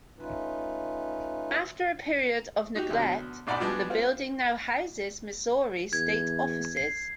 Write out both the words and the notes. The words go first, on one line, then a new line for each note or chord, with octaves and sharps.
After a period of neglect, the building now houses Missouri state offices.
A3 C#4 D#4 F4 B4
D#4 F#4 G4
D2 B2 F#3
B1 G#2 D5 F#5 A#5 B5
F3 G3 G#3 B3 D4 F#4
C4 F4
E2 G#6
C7